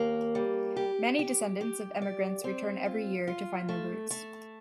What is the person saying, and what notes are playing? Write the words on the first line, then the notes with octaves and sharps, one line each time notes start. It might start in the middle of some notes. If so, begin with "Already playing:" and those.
Many descendants of emigrants return every year to find their roots.
Already playing: D#2 A#3
G3
G4
G4
G4
D5
C4
F4
F4
A3
A3